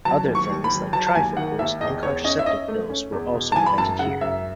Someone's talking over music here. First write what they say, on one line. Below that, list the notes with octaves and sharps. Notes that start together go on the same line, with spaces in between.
Other things like trifocals and contraceptive pills were also invented here.
F#3 A5
D#2
C#6
D#2
B5
F#3
F#3 A5
A5
D#2 G#5
D#3 F#5
D#2 E5
E2 D#5
E2 C#5
C#4 D#5
E5
C#4 D#5
A3
C#4
E2
B2
A5
E3 G#5
B5
F#2 A5
C#3 F#5
F#2 E5